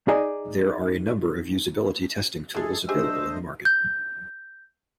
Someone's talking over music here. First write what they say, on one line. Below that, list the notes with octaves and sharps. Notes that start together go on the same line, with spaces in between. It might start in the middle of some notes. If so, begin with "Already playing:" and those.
There are a number of usability testing tools available in the market.
D#4 G#4 D5 D#5
E3 G#3 G#4 A4
A3 D4 G4 G#4 C5 D#5 G#5 E6
G6